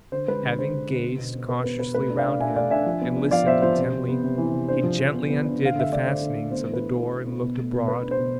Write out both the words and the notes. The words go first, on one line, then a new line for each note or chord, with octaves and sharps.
Having gazed cautiously round him, and listened intently, he gently undid the fastenings of the door, and looked abroad.
D3 C5
G#3 B4
D3
D4 C5
D3
D3
B3
B2
B3
B2 B4
B3 B4
B2 B4
A3 B4
D4
D5 F5
D4
D4 E5 G#5
A3 D5 F5
D4 E5 G#5
F3
B3
D4
F3 D5 F5
B3 C5 E5
F3 C5
C3
C3
B3
C3
E3
C3
D4 C5
F3
F3
B3
B3
D4
D3 F5
D3 E5
A3 D5
D3 C5
D3
A3
B3 C5
E3
B4
E4
E4
E4
B3
B2
A3
B2
B2 B4
D4
C5
B2